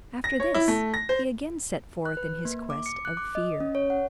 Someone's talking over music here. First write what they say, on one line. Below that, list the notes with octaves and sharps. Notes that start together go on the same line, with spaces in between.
After this, he again set forth in his quest of fear.
A#6
C#5
E4
A3
A#6
C5
F#6
B4
A#3
D6
C#7
F#6
D6
D#5
C#4
C#5
F#5